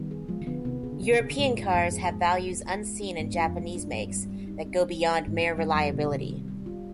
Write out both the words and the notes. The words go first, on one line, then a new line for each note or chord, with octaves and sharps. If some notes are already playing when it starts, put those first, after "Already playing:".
European cars have values unseen in Japanese makes that go beyond mere reliability.
Already playing: D#3 G3 B3
G#4
F3 G#3 F4
D#3
D3 F3 B3
C3 D#3 B3
C3 G#4
D3
C3 B3
D3
C3 G#4
D3
G#2 C3 G#3
F4
G2
F2 G#2 B3
G#4
G#3
F4
B3
F4
G#3
D4
G#2 B3
G2 F4
F2
G2 G#3
D4
G2 C4
G3
G3
D#4
C4
G3
G3
D#4
G#2
G2 B3
G2 G3
F2 G3
B2 D3 F4
C3 D#3 B3
G3
G3
F4